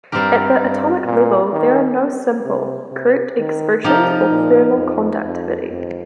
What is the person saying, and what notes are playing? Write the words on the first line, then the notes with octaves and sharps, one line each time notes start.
At the atomic level, there are no simple, correct expressions for thermal conductivity.
G2 G3 C4 G4 A#4
G2
A#2
D#3
C3
C3
D#3
C3 F3 D#4 G4 A#4
A#2
F2
F2
F2